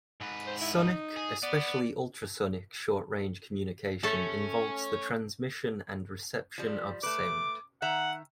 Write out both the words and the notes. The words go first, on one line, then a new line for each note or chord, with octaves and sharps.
Sonic, especially ultrasonic short range communication involves the transmission and reception of sound.
G#2 B4
C5
E4
D#4
G#4
B3 D5
A3 C#4 A4
F3 G3
A3 B4 D6
D#3 E5 F#5 A#5